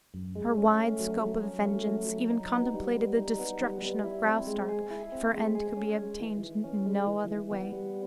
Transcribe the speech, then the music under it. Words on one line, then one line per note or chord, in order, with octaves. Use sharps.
Her wide scope of vengeance even contemplated the destruction of Graustark if her end could be obtained in no other way.
F#2
G#3
C#4
A3
F#3
F#3
C#4
A3
F#3
F#3
D#4
B3
G3
G3
D#4
B3
G3
G3
E4
C4
G#3
G#4
E4
C4
G#3
G#4
C#4
G#3
E3
E3
C#4
G#3
E3
E3
B3
G3